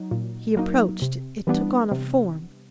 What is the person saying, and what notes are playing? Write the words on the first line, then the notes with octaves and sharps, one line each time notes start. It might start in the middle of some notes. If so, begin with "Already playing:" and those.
He approached, it took on a form.
Already playing: F#3 D#4
A#2
F#3 A#3 D#4
C3
E3 G3 B3 D4
C3